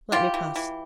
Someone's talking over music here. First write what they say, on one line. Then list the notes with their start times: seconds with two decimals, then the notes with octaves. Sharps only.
Let me pass.
0.12 E3 F4 G4
0.34 E3
0.56 E3